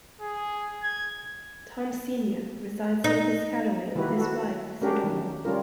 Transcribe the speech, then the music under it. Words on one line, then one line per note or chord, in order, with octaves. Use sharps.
Tom Senior resides in Piscataway with his wife, Sedora.
G#4
G#6
D#4
D#3 A#3 E4 F#4 B4
F#4 A4
A3 C#4 D4 F#4 G4 A#4
D#3
G3 C#4 F4 A#4